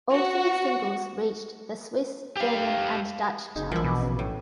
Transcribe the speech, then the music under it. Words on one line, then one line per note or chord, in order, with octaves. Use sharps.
All three singles reached the Swiss German and Dutch charts.
F#4
G4 F5
F#1 D#4 G#4
A#1 E3 F3 E4 A#4
B2 G#5 B5 D6
C#3
A2